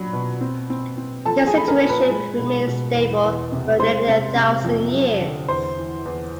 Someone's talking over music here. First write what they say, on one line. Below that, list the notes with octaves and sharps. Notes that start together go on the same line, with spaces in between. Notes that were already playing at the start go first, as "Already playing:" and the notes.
This situation remained stable for nearly a thousand years.
Already playing: A#2 F#3 D4 B5
B2
C4
C4
C4
F3 A4 A5
G#4 G#5
A3 B5
A#4 A#5
A#2
B4 B5
G#3
B2
B2
E2
E2
C3
G#3 C5 C6
C3
C3
F2
F#3
D3
E2 C5 C6
E3
E2